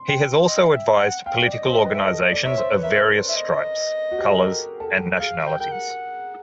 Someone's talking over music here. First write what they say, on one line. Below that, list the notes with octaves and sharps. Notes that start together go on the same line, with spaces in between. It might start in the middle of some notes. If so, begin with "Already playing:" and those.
He has also advised political organisations of various stripes, colours and nationalities.
Already playing: C6
G5
D#5
E5
F#5
F5 G5
D5
D#5
C5
E5
D#5
B4
E5
A4 D#5
D5
C#5 E5
C5
B4
A#4 E5
E5
D#5
F#4
G4
G#4
A4
A#4
A4
G#4 F5
G5
A#4 G5
F#5